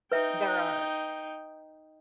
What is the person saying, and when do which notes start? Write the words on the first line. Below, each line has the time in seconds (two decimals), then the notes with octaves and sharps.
there are
0.12 D#4 B4 E5 G5